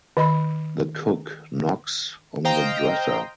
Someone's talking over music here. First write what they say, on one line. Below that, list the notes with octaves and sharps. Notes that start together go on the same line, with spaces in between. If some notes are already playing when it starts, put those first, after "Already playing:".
The cook knocks on the dresser.
D#3 D#5 B5
C5 D#5 F5 G5 A#5